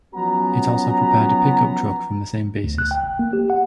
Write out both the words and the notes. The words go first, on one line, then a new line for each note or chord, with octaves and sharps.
It also prepared a pick up truck from the same basis.
F3 F#3 B3 C#4 F#4 A#5
D2
F#6
G5
G1
A#3
G4
F#5